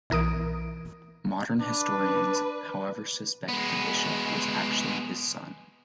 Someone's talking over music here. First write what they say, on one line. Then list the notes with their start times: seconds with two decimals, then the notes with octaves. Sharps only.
Modern historians however suspect the bishop was actually his son.
0.10 B1 E3 A#4 D#6 D7
1.61 D4 B4
3.48 G#3 B3